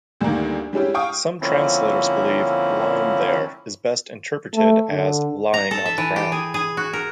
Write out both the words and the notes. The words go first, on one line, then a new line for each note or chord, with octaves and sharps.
Some translators believe "lying there" is best interpreted as "lying on the ground".
D2 G2 D3 D#3 A#3
G3 G#3 C#4 E4 G4
F5 G5 C#6 D#6
D3 F3 A#3 C4 C#4 E4
A3
D3
A#5
A4
E5
E3
G4
G#4
G#4
F#4
A#4